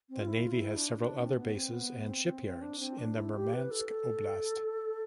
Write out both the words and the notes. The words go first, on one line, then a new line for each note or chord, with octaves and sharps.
The Navy has several other bases and shipyards in the Murmansk Oblast.
C4
F4
E4
F4
E4
D4
D4
C4
B3
C4
B3
C4
C4
D4
C4
D4
E4
G4
B4
A4
A4